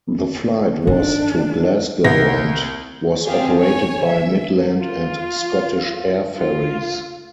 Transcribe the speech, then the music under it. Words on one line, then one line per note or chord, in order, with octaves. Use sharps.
The flight was to Glasgow and was operated by Midland and Scottish Air Ferries.
D#3 D4
C2 A#6
C4 F4 G4 G#4 F5
C#5 G#5
E5
F4
F4